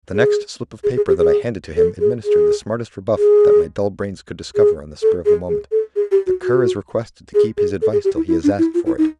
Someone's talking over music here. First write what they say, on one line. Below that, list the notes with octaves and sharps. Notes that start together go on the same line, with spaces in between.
The next slip of paper that I handed to him administered the smartest rebuff that my dull brains could discover on the spur of the moment: "The Cur is requested to keep his advice till he is asked for it."
G#4
G#4
G#4
G4
G#4
A4
G#4
G#4
G#4
G#4
A4
G#4
G#4
A4
G#4
G4
F#4
F#4
G#4
G#4
A4
G#4
G4
E4
E4
D4
E4
F4
E4
D#4